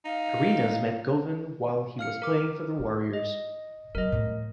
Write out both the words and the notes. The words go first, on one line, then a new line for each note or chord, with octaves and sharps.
Arenas met Govan while he was playing for the Warriors.
D#4 F5
F5 F6 C#7
A#4 D6 F6
E3
D#5
F#3 A#4 D#5
A2 F3